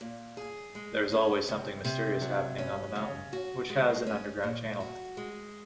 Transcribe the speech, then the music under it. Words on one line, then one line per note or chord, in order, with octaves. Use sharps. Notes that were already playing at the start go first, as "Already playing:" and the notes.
There is always something mysterious happening on the mountain, which has an underground channel.
A#2
G#4
G#3
C#4
C3
C3
F#3
C#4
C#3
F#4
G#3
C#4
A#2
F#4
G#3